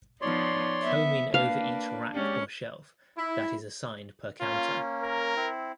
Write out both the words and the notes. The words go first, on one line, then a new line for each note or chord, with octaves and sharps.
Combing over each rack or shelf, that is assigned per counter.
F3 B3 D#4 C#5 D5 C6
B3 E5
A#3 D4 B4 F5
G#3 C#4 G4 D5
E4
A#3 C#4 F4
A#4
C4 E4